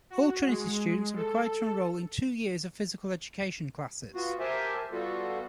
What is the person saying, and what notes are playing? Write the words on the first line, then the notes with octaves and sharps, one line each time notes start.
All Trinity students are required to enroll in two years of physical education classes.
F#4
G#3
A4
B3 F4 F#4
G4 A#4 C5 E5 G#5 A5
G3 B3 F4 F#4 A4